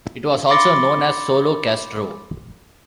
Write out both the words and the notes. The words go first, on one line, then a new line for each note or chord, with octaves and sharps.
It was also known as Solo Castro.
B5 C6 D6 A6 A#6 C#7